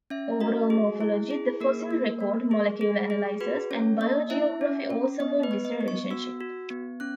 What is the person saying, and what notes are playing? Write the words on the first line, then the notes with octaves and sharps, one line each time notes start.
Overall morphology, the fossil record, molecular analyses, and biogeography all support this relationship.
C#4 E5
F#4 D#5
G#4
E4
G#4
A#3 A#4
A#3
A#3
G#4
G#4
G#4
F#4 B4
C#4 C#5
A#3 D#5
E4 E5
C#4
C#4
B3 D#5
B4
B3
D#5
B3
C#6
F#4 E6
F#4
B3
C#4 F#6